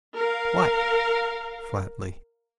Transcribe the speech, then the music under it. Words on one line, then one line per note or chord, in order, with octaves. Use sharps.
"What?" flatly.
A#4 F5